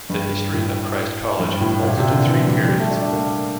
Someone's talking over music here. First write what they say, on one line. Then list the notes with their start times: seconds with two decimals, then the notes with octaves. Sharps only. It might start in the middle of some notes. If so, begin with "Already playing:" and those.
The history of Christ College falls into three periods.
0.10 G2
0.54 A2
1.40 G2
1.61 A2
1.83 A#2
1.97 C3
2.11 D3
2.26 E3
2.36 F3
2.47 G3
2.69 G3
2.80 A3
2.91 D4
3.02 D4
3.12 A#3